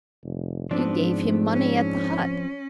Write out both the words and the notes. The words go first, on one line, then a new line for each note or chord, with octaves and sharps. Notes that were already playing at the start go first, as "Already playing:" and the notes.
You gave him money at the hut.
F1
G#2 F3 B3 C4 D4
C#4